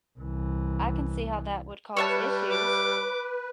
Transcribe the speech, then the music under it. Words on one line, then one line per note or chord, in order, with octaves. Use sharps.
I can see how that would cause issues.
C2 E3
G3 B4 C#5 E5 A5
D6